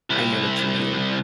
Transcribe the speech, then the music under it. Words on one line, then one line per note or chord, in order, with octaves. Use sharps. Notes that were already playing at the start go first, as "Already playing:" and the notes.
I know what you mean.
C2 E4